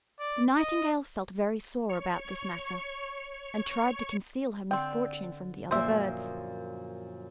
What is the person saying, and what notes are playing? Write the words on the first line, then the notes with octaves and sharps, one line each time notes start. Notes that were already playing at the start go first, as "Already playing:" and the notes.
The Nightingale felt very sore about this matter, and tried to conceal her misfortune from the other birds.
D5
D#5
C#5 C#6
D3 C4 G5
F#2 A#2 F3 C5 E5